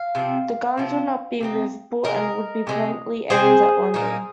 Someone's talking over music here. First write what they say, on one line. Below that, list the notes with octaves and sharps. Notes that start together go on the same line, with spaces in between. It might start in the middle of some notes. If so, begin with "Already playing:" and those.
The guns would not be movable and would be permanently aimed at London.
Already playing: F5
C3 F3 C4
C3 F3 C4
C3 G#3 C4 D#4
C3 G#3 C4 D#4 A#4 D#5
C3 G#3 C4 D#4
C3 G#3 C4 G#4 C5
A#2 A#3 D#4